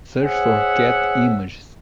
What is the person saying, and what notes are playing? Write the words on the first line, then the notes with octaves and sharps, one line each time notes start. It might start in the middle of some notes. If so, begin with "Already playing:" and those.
Search for cat images.
G#4 C5 C#5 E5 F#5